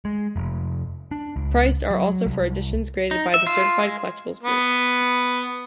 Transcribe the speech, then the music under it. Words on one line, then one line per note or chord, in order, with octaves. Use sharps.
Priced are also for editions graded by the Certified Collectibles Group.
G#3
F1
D4
C#2
F#3
C2
D#4
E5
F4
G#3
B3